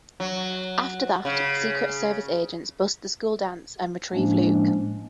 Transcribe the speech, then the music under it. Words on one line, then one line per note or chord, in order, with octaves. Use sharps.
After that, Secret Service agents bust the school dance and retrieve Luke.
F#3
C#3
A2 F3 G#3 A#3 C#4 D4